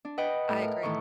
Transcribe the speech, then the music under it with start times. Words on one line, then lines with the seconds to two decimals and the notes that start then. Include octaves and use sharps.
I agree.
0.05 D4
0.18 B4 D#5 F#5 G5
0.49 A2
0.62 A#4
0.83 A2 D#3 E3 C#6